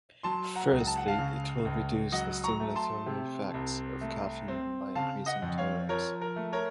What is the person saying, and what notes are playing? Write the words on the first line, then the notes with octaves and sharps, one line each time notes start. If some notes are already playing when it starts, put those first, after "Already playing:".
Firstly, it will reduce the stimulatory effects of caffeine by increasing tolerance.
F#3 A5 C6
F#5 A#5
C#2
A5
F#5
F5 A5
C#3
C#2
F#3 D#5 F#5
A#5 C#6
A3
A5 C6
C3
C2
A3
C4
C#3 F5 A5
D#5 F#5
F2
C#5 F5
F3 A#4 C#5
A#4
A3
A#4 C#5